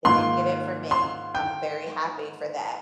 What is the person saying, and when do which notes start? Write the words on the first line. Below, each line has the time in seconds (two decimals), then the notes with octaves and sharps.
They didn't get it from me, I'm very happy for that,
0.05 G#2 D#3 A#3 F4 C6
0.91 C6
1.35 G5